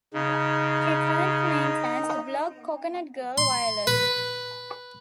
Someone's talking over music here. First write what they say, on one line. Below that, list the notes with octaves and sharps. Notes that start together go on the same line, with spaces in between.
She currently maintains the blog Coconut Girl Wireless.
C#3 D#4
C6
B4